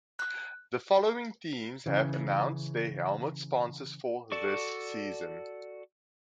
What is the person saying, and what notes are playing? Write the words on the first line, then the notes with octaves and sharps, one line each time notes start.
The following teams have announced their helmet sponsors for this season.
F#6
C#3 E3
F#4 A4 D5 C#6